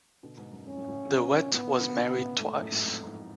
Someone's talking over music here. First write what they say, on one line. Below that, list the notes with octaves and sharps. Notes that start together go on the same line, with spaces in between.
De Wet was married twice.
B2 D3
G#2 B2
F#2
F2 G#2 C#4
F#2 A2
A2 C#3
C#3 F3
B2 D3
A2 C#3 B3
C#3 F3
B2 D3
B2 D3
A2 C#3
G#2 B2 A3
F#2 A2
A2
F2 G#2
F2 G#2